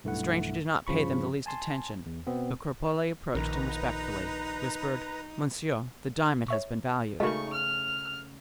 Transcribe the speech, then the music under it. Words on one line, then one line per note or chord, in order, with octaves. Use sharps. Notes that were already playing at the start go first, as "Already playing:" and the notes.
The stranger did not pay them the least attention; but Cropole approaching him respectfully, whispered, "Monsieur, the diamond has been valued."
B1 G2 A3 E4 F#5
G2 C#3 F3 B5 C#6
G#5 A5 C6
E2
B2 B3 C4
A#1 D#3 D#4 B4 A#5
C#5 E5 C#6
C#3 G#3 A3 D#4 F#4 A#4 C#6
F6